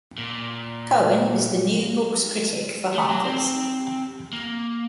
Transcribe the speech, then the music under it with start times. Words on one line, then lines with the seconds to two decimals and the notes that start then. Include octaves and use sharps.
Cohen is the New Books critic for "Harper's".
0.18 A#2
2.94 A3
3.10 F#3
3.25 C4
4.33 A#3